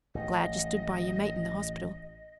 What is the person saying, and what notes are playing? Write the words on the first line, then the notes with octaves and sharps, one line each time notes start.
Glad you stood by your mate in the hospital.
A1 D#5